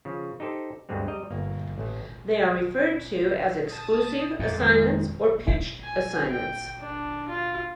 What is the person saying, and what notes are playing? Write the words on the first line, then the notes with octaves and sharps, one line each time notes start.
They are referred to as "exclusive" assignments or "pitched" assignments.
C#3 F3
D#4 G4 A4 C5
D2 G2 D3 G#3 C4
G3 D#5 A#5
G1 A#3
A1 A3
A5 D#6
F2 A#2 A6
D#3 G#3
G#5
G5
D4
F4